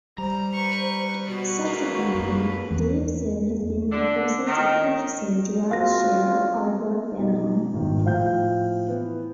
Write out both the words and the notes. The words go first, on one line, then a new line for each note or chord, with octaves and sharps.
Subsequently, Dave Sim has been in the process of purchasing Gerhard's share of Aardvark-Vanaheim.
G3 C5 A#5
B4 C#6
B2 F#4 B4
G#3 A#3
F#2
E2
D3
D#3
C4 F4 F#4 F5 A#6
B2 D#4
G#1 E2 D#3
A2 F3 C5 F5 G5 G6
E3 B3